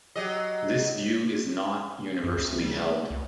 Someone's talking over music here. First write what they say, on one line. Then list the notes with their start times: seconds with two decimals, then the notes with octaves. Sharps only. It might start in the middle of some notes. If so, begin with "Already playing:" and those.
This view is not universally held.
0.16 F#3 G4 D#5
2.24 F#2
2.38 D2
2.61 G3
2.78 A3
3.10 C#2